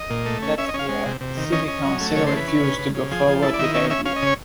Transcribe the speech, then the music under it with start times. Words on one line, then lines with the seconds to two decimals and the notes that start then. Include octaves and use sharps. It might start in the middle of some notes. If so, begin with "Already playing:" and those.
That year city council refused to go forward with the idea.
Already playing: D#5
0.10 A#2
0.26 A3
0.42 C#4
0.58 C#4 E5
0.69 D#5
0.74 C#4
0.79 F5
0.89 G#3
1.06 C3
1.21 C3
1.37 D#3
1.52 C#4 D#5
1.68 C#4
1.85 F#3
2.01 A3
2.16 C#3 C#5
2.27 C5
2.32 E3
2.37 B4
2.47 C#4
2.63 C#3
2.79 C#3
2.95 C#3
3.11 F3 G#4
3.28 F3
3.43 E4 A4
3.54 D5
3.59 D#3 E5
3.64 D#5
3.74 C#4 E5
3.90 C#4 E5
4.06 C#4 F5
4.16 D#5
4.22 C#3 C#5